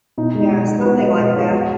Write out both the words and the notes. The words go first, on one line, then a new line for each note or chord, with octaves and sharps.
Yeah, something like that.
B2 D#4
G#3
D#4
B2
G#3
B2 F#4 B4
G#3 B4 D#5
B2 B4 D#5
G#3 G#4 C#5
F#4